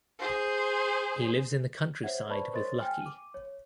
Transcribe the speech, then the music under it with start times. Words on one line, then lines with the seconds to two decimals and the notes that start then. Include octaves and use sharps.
He lives in the countryside with Lucky.
0.19 G#4 C5
2.03 C5 C#5 E5 F#5 G#6
2.29 B4 C5 D5 A5 B5 C#6
2.54 A#4 C5 C#5 D#5 C6 A6
2.79 G5 G#5 F6
3.02 D6 D#7
3.34 C#5